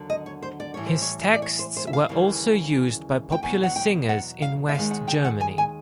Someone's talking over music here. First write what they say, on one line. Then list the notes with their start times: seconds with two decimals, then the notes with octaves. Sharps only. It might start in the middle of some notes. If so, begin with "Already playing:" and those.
His texts were also used by popular singers in West Germany.
Already playing: D#2 D3 F#3
0.10 D#5
0.26 C#5
0.42 C5
0.60 D5
0.74 A2 E3 G3 C#5
0.86 C5
1.01 C#5
1.34 D5
1.42 C#5
1.59 C5
1.77 C5
1.87 E5
1.93 F5
2.09 D#2 C#3 E3 G3
3.32 G5
3.43 E2 B2 F#3 G#5
3.63 F#5
3.76 G5
4.09 F#5
4.42 F5
4.69 E5
4.74 D#2 F5
4.78 D#3 G#3
4.91 F#5
5.08 G5
5.25 F#5
5.41 G#5
5.58 G#5